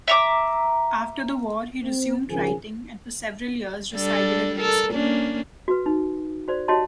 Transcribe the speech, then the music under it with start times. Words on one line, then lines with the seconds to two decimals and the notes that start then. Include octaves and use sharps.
After the war he resumed writing, and for several years resided in Mexico.
0.08 E5 A#5 D6
1.82 C4
2.29 G#1 C#3 F3 G#4 A#4
3.93 G3 D4 A4
4.59 A4 A#4
4.92 A#3 C#4 D4
5.68 F#4 B4
5.86 D#4
6.48 F#4 C5 D5
6.68 F#4 G4 C#5 D#5 A5 C6